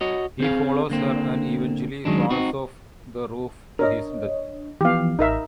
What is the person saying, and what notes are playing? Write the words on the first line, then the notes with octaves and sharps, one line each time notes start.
He follows her and eventually falls off the roof to his death.
F#4 C#5 D#5
C4 G#4 F5
D3 A#3 C4
D#3 F#3 G#3 C#4 D4
C4 D#4 F#4
D4 A#4 C#5 D#5
E3 F3 B3 G4 F5
A1 D#4 A#4 E5